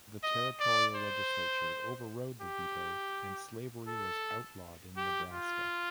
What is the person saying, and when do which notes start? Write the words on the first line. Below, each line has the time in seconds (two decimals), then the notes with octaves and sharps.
The territorial legislature overrode the veto, and slavery was outlawed in Nebraska.
0.23 D#5
0.60 D5
0.96 C5
2.41 G4
3.87 A4
4.96 G4
5.32 F4